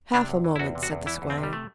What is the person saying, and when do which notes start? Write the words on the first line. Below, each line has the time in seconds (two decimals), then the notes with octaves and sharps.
"Half a moment," said the squire.
0.14 C3 D4
0.29 E2
0.44 E3
0.56 E4
0.59 E2 F#4
0.75 C3
0.83 F#4
0.92 E2
1.06 E3 E4
1.22 E2
1.30 C4
1.38 C3
1.43 G3
1.53 A3